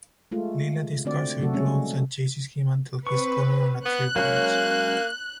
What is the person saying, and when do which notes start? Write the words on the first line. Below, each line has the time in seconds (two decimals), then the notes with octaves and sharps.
Lila discards her clothes and chases him until he's cornered on a tree branch.
0.31 G#3 A3 F4
1.05 D3 A3 C4 F#4 D5
1.39 C3 F#3 A3 F#4 A4
1.53 G3 G#3 A#3 C#4
3.07 C4 B4 C#6
3.85 B3 F#6
4.16 F#3 G#3 A#3 C#4